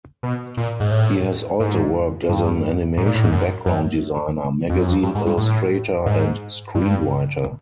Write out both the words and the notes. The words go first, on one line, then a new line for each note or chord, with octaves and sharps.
He has also worked as an animation background designer, magazine illustrator and screenwriter.
B2
A#2
G#2
A2
G#2
G2
G#2
A#2
A2
G#2
F#2
F#2
F2
F#2
F2
G2
G#2
G2
A2
G#2
G2